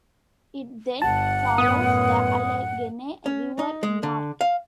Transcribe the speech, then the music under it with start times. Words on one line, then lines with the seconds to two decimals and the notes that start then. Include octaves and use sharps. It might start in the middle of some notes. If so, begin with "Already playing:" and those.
It then follows the Allegheny River north.
1.02 G1 F#5 A5
1.58 F#2 A2 B3 D#6
3.26 C#4
3.59 D#4
3.83 G#3
4.03 D3
4.41 F5